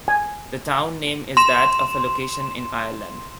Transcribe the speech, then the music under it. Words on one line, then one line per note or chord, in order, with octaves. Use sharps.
The town name is that of a location in Ireland.
G#5
C6 E7